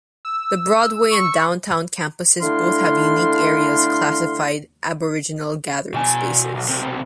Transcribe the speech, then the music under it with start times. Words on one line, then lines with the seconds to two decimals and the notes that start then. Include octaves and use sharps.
The Broadway and Downtown campuses both have unique areas classified Aboriginal Gathering Spaces.
0.25 E6
1.11 C#6
2.42 D3 A3 D4 E4 F5 C6
5.94 B2 G#5
6.55 B1
6.68 B1 C3